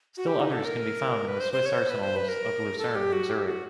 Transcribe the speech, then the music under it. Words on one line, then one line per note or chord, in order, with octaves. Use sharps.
Still others can be found in the Swiss arsenals of Lucerne and Zurich.
F#4
G4
D#4
A4
A#4
B4
C5
C5
C#5
C5
B4
C5
B4
A#4
A4
G4
F#4
G4
F#4